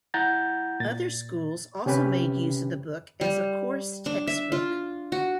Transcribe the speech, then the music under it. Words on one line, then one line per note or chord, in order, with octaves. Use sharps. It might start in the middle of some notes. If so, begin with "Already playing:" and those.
Other schools also made use of the book as a course textbook.
E4 F#5 A#5 G6 A6
A#2 A6
C3 C#4 G4 B4
G3
D4
E5
F4
F#4